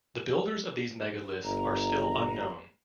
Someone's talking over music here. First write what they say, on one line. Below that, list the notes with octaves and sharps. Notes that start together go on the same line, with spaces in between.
The builders of these megaliths are still unknown.
G1 A#5